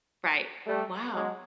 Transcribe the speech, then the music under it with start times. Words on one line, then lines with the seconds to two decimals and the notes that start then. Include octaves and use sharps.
Right, wow.
0.67 G3 A3
1.14 F#3 G#3